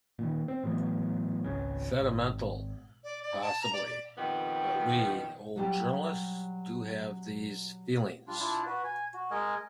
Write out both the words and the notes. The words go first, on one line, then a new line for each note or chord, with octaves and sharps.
Sentimental, possibly, but we old journalists do have these feelings.
A#2 D#3
C4
A2 E3 F#3 B3
G#1 C#2 C#3
G#1
D5
D5
A5
A#5
D5
D5
F2 D#3 G3 B3
F#3 G3 G4
G3 D4 F4
D4 E4 F4 A5
F#4 B4
G#5
F#4
G#3 A#4 D#5 G#5